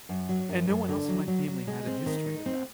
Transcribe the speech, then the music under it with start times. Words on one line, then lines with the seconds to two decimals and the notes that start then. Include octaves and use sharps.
And no one else in my family had a history of that.
0.09 F#2
0.29 F#3
0.49 F#2
0.68 F#2
0.88 D3
1.08 F#3
1.27 F#3
1.47 F#3
1.67 G#3
1.87 C4
2.06 D#3
2.26 D#4
2.46 C4